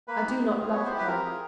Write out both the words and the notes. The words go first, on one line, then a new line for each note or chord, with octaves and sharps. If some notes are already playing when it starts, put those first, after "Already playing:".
I do not love her.
A#3 B4
D#4 G4
G#3
C4 F4 G#4
B3 C#5
C5
E4 G4
B4
C4 A#4
F4 G#4